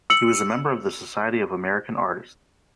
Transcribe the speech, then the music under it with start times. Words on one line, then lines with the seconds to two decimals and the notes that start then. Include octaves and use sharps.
He was a member of the Society of American Artists.
0.10 E6 C#7 F#7